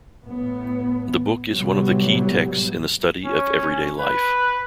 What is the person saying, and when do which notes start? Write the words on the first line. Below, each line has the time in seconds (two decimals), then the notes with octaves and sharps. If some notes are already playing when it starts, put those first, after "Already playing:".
The book is one of the key texts in the study of everyday life.
0.24 A2 B3
1.52 A2 C3 F#3 G3 B3
3.25 C#4
4.00 B4